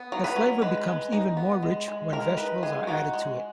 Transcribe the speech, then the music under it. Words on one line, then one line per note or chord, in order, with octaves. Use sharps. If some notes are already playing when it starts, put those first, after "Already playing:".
The flavour becomes even more rich when vegetables are added to it.
Already playing: B3
F#3
B4
F#3
G#3 B4
G#3
D#4
B3
G#3
G#3
G#3 A#4
D#4 B4
G#3 G#4
D#4 F#4
G#3